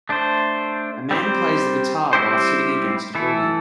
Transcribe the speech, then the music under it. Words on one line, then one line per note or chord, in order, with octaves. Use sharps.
A man plays the guitar while sitting against a building.
A3 D4 C5
G3 C4 G4 C5
G3 C4 E4 G4 C5
E3 A3 E4 A4